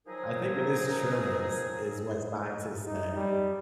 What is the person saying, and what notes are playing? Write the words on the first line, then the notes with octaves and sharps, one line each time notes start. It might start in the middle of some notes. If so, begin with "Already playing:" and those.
I think it is trillions, is what scientists say.
D#3 F3 F#3 D#4 G#4 A#4
D#4
G3